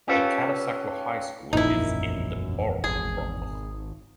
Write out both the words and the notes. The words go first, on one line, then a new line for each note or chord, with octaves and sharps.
The Catasauqua High school is in the borough proper.
C#4 F4 G4 A4 B4
E1 A#1 F#2 A#2 D#4 E4
G#1 G#4